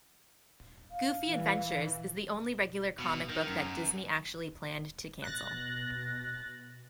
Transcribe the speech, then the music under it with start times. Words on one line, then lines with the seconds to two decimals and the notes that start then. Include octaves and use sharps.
Goofy Adventures is the only regular comic book that Disney actually planned to cancel.
0.91 F5
1.26 E3
2.98 B2
3.29 D#3
3.46 F#2
5.22 B2 F#6 A6 A#6